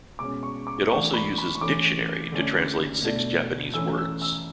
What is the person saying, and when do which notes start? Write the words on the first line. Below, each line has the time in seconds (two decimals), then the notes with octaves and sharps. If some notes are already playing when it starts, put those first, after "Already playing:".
It also uses "dictionary" to translate six Japanese words.
0.19 B2 G#3 C#4 D6
0.43 C#6
0.67 D6
0.90 E3 A3 D4 C#6
1.14 B5
1.38 B5
1.55 C#6
1.61 E3 A3 C#4 D6
2.32 D3 A3 C#4
3.03 B2 A3 D4
3.74 E3 A3 C#4 E6
3.97 E6
4.22 E6